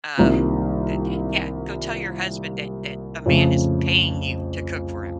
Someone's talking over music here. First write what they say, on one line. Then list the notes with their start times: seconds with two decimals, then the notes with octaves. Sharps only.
Um, that Yeah. Go tell your husband that that a man is paying you to cook for him.
0.18 C2 C3 D#3 A#3 F4
3.26 F2 C#3 A3